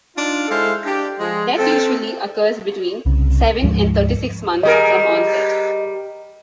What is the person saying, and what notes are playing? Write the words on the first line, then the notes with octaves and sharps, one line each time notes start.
Death usually occurs between seven and thirty-six months from onset.
D4 D#4 F4
G#3 E4 A4 C5 F5
D4 G4
F3 G#3
C4 A4
C2 C#3
D2 G#2 F3 G#3
G3 G#4 A#4 D#5